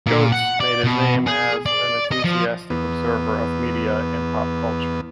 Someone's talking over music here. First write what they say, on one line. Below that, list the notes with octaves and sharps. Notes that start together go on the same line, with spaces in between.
Goetz made his name as an enthusiastic observer of media and pop culture.
A#2
F#5
D5
B2
G#4
D5
D#5
F3
E2 B3